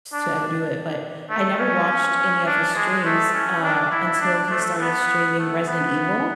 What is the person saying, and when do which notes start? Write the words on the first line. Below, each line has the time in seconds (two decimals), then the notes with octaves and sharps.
to ever do it, but I never watched any of his streams, uh, until he started streaming Resident Evil.
0.13 D4
1.30 A3
1.59 C#4
2.46 D4
2.75 G#3
3.05 A3
3.34 C#4
3.63 D4
3.92 E4
4.21 D4
4.50 A3
4.80 B3
5.39 A3
5.67 B3